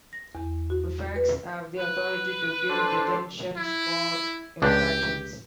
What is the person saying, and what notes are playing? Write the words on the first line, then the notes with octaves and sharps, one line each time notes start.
Prefects have the authority to give detentions for infractions.
A#6
E2
F#4
B4
B4
D4 A4 C5
E4
C#2 D4 G4